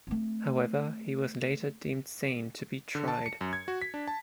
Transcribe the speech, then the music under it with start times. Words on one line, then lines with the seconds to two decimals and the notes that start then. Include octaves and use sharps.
However, he was later deemed sane to be tried.
0.07 A3 C4
2.95 D3
3.08 A5
3.26 C#7
3.41 F#2
3.53 G#6
3.68 F#4
3.82 B6
3.94 D4
4.08 A5